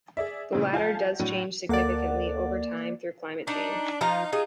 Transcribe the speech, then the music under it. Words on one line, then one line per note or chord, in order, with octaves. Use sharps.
The latter does change significantly over time through climate change.
G#4 D5 E5
A#2 C#3 E3 A3 A#3 C4
F3 F5 G#5 A5 G6
A2 F#3 D4 D#7
D2 A#3 A4 D5 F#5
D4 D#4
F3 D#4 F4 F5 A#5
D#4 F4 G#4